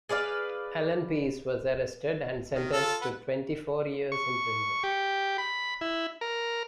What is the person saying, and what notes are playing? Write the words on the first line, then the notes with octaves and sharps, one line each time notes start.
Allen Pace was arrested and sentenced to twenty-four years in prison.
G#4 B4 D5 F5
D#3
F4 A4
B4 F#5
C#6
G4
B5
E4
A#4